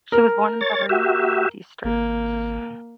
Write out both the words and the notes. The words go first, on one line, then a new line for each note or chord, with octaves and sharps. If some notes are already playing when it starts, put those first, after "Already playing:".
She was born in Baringo District.
A#4
C#5 A6
F#4 G4 E5
G#1 A#3